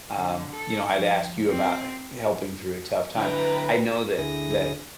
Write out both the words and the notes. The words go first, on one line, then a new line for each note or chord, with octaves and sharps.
um, you know, I'd ask you about he helping through a tough time. I know that that
D3
A4
F3
C4
D3 E4 B4 G5 A#5
D2 D3 E4 G#4 D#6 A#6